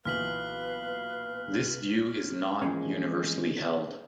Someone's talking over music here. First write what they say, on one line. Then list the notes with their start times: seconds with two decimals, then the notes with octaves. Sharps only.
This view is not universally held.
0.05 B1 A#2 E3 B4 F5 F6 B6 F#7
2.62 E3 F3 G#3 A#3 C#4